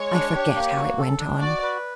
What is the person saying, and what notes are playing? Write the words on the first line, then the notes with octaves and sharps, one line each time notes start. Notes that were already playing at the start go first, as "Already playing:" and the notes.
I forget how it went on.
Already playing: G#3 C#5
D4
G4
A#3
F#4
A4
D4
F#4 D5
B4